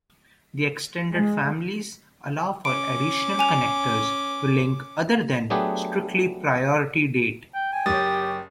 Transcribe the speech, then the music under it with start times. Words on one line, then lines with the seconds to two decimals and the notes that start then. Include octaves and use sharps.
The extended families allow for additional connectors to link other than strictly priority date.
1.15 G#3
2.65 C#4 D6 D7
3.39 G#5 F7
5.50 F#3 A3 B3 D4 G4 G#4
7.54 G5
7.73 G5 G#5
7.86 F#1 G4 C#5 D#6 A6